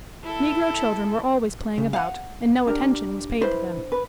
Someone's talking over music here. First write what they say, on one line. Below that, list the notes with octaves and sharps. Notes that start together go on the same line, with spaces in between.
Negro children were always playing about, and no attention was paid to them.
E4 A4
C#3
F5 F#5
D4 G4 A#4
D4 E4 B4 C5
B4